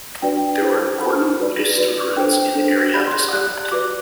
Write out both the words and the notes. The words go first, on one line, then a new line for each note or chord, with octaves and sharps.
There were important Buddhist ruins in an area of this island.
D4 F#4 B4 D5 G5
E4 A4 C5
E4 A4 C5 B5
F#4 B4 D5
F#4 B4 D5
D4 A4 C5 G5
D4 A4 C5
G4 D5 B5
C6
G4 D5 F#6
F#4 B4 D5 D6